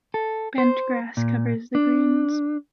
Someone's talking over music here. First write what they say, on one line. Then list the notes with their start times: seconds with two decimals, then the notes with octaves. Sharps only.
Bent grass covers the greens.
0.14 A4
0.58 C5
1.17 A#2
1.75 D4